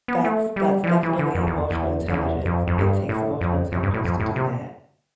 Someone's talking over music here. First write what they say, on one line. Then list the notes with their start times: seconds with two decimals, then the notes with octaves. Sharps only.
That's that's definitely emotional intelligence. It takes emotional intelligence to do that.
0.08 B3
0.25 A3
0.56 G3
0.84 E3
0.87 F3
1.03 E3
1.19 D3
1.35 F2
1.47 E2
1.71 E2
2.08 F2
2.14 E2
2.45 F2
2.68 F2
2.78 G2
3.09 A2
3.41 F2
3.72 F2
3.83 G2
3.94 A2
4.05 F2
4.20 A2
4.36 C3